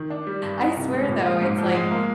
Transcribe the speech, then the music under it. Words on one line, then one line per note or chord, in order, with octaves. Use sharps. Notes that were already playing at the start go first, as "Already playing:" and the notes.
I swear, though, it's, like
Already playing: D#3
D4
G3
G2
D#4
C2
G#3
A#2
G#3
G#2
F3
G#3
A#3